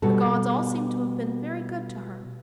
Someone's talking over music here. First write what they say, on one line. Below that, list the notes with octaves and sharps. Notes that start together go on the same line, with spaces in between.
The gods all seemed to have been very good to her.
B2 G3 B3 F#4 A4